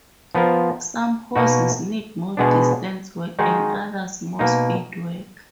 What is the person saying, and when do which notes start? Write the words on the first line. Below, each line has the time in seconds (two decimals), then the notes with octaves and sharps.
Some horses need more distance work and others more speed work.
0.35 F3 B3 F4 A#4
1.36 B2 A#3 D#4 F#4
2.37 B2 G#3 B3 D4
3.39 D#3 G#3 D#4 F#4
4.39 B2 A#3 D#4